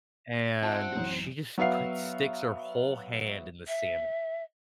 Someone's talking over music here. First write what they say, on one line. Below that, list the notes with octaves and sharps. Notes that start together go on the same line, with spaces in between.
And she just put sticks her whole hand in the salmon
C4 F4 D5 E5 F#5 A5
A1 F#2 D#4 C5 A#5
F#3 B3 E5 F5 C7
E5